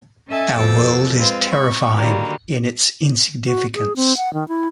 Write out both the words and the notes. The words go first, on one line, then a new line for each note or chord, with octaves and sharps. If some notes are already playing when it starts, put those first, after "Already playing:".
Our world is terrifying in its insignificance.
C#4 A4 D#5 E5 G#5 A5
F2 B2 F3 A4 D6 E6
G#3 C4 F4 B4
B5 C#6
D3 D#3 F#3 G3 A#3
F#4
G#4
C4
F#5
D#3
E4